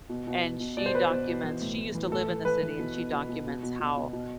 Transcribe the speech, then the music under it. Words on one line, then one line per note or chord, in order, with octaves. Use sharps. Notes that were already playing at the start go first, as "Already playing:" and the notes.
and she documents she used to live in the city and she documents how,
B2
B2
B2
B2
B2 D5
C5
B2 B4
C5
B2
B2
E3
A2
A2
E3
A2 A4
E3
E3 B4
E3
B2
B2
B2
B2
B2
B2
B2
B2
B2